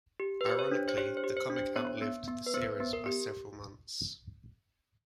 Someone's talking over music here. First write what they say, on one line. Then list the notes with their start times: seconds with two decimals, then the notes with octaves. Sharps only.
Ironically, the comic outlived the series by several months.
0.20 G4
0.41 B4
0.46 G4 C5
0.59 C#5
0.71 D4
0.88 C5
0.97 G4 C#5
1.17 C5
1.24 G4
1.37 C5
1.50 D4
1.56 C5
1.76 B3 C#5
2.02 B3
2.28 B3
2.46 B4
2.54 B3 C5
2.80 B3
2.93 A#4
3.06 G4